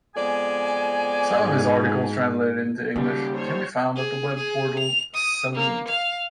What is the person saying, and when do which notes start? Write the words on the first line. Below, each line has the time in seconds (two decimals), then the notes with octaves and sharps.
Some of his articles translated into English can be found at the webportal Salon.
0.16 F2 G#3 B3 D5 G#5
1.40 G#2
2.96 D#2 C#3 F#3 G3 G4
3.34 C5 C#5
3.96 G#4
4.36 G#4
4.79 F7
5.15 D#6
5.56 A#3
5.88 F5